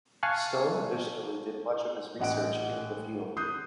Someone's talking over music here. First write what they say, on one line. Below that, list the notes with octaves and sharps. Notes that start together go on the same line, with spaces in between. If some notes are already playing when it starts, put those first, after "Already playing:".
Stone additionally did much of his research "in the field".
F5 G#5 A5 C#6 F#6
A1 D#5 F#5 G#5 D7
D#6 F#6 G6 C7